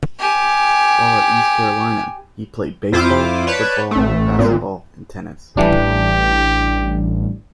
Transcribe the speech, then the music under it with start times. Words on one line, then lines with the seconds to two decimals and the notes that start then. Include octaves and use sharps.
While at East Carolina, he played baseball, football, basketball, and tennis.
0.20 G4 G#5
2.92 F2 E4 F4 C5 D6
3.47 B4 C#5 D5 A5 G6
3.91 A1 A3
4.38 G#1 A#2
5.57 A1 E3 G3 D4 G4